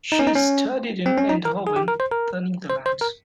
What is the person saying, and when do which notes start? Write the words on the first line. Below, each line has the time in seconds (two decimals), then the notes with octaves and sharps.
She studied in Eindhoven, The Netherlands.
0.12 D#4
0.19 C#4
0.27 D#4
0.35 C#4
1.06 C4
1.18 C#4
1.29 D#4
1.45 A#4
1.67 G#4
1.76 G4
1.88 A#4
2.00 C5
2.11 A#4
2.69 C5
2.86 C5
3.01 A#4